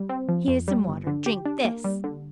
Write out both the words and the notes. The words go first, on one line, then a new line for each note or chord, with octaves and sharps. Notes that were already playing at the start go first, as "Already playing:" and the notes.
"Here's some water, drink this!"
Already playing: G3
C4
F3
F2
G3
G1
D3
G4
D4
A#3
G3
D3